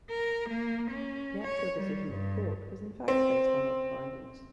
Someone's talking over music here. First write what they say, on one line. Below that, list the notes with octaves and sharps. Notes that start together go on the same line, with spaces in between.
The actual decision of the court was in fact based on other findings.
A#4
A#3
C#4
C#5
G3
G2
C4